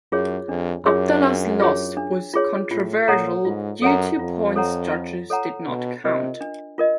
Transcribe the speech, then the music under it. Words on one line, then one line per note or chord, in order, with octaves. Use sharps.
Abdallah's loss was controversial due to points judges did not count.
F#2 F4 G#4 C#5
F2 D4
F#2 F4 G#4 C#5
D4
F4 G#4 C#5
D4
F4 G#4 C#5
A2 F4
A#2 A4 C#5 F#5 A#5
G#2 F4
F#2 A4 C#5 F#5 A#5
F2 F4
A4 C#5 F#5 A#5
F4
A4 C#5 F#5 A#5
B2 D4
C3 F4 A#4 D#5
D4
F4 A#4 D#5